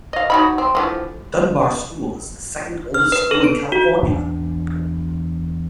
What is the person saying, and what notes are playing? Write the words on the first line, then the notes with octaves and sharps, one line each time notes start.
Dunbar school is the second oldest school in California.
D#5 F5
F#3 D#4 B5
C4
D3 E3 F3
F6
B4
A4
D7
F#4
E2 D4